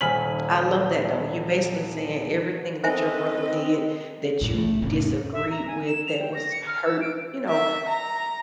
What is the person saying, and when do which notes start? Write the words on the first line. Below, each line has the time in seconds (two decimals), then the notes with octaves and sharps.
I love that, though. You're basically saying everything that your brother did that you disagree with that was hurt you know,
0.01 D#1 G#5 F6 B6 F#7
2.84 D#3 C4 A4 B4 C5 D#5 E5 G#5
4.41 C2 A2
4.54 A3
4.82 F1 A2 C#3
5.33 E5
5.51 A#5
5.67 G#5
5.87 E7
6.07 F7
6.19 G5
6.34 A#6
6.51 C#7
6.67 F6
6.84 E6
7.01 D7
7.48 E5
7.88 A#5